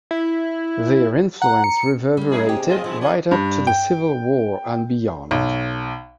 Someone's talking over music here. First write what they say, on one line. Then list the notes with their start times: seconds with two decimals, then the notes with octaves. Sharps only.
Their influence reverberated right up to the Civil War and beyond.
0.11 E4
1.42 F#5 A#5
1.64 C#7
2.17 G3 A#3
2.31 C#4 D#4 E4 G#4
2.49 C3 G4
2.69 A2 C4 F4 D#5
2.84 G2 F3 G#3 C4 E4
3.01 A#3 B3 D4
3.31 G2
3.67 G5
5.31 B1